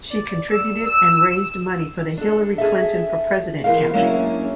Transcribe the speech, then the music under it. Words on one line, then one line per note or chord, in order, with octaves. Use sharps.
She contributed and raised money for the Hillary Clinton for President campaign.
D5
E6
E6
D4 A4
G#4 A4 E5
E3 B3 A#4 C5 F5
F#3 G#3 A#3 C#4 D4 E4